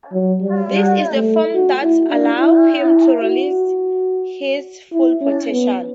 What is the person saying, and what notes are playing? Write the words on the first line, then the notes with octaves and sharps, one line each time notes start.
This is the form that allows him to release his full potential.
F#3
G3
G3
A3
F#4
E4
D4
E4
E4
F#4
E4
C#4
B3